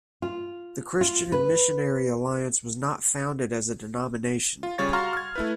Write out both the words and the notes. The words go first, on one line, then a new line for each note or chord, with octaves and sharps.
The Christian and Missionary Alliance was not founded as a denomination.
F4
F4
B4
F4
C#3 G3 C#5 A6
F#4 F5 A#5 C6 C#6 F6
F6 G#6
A3 E4 B4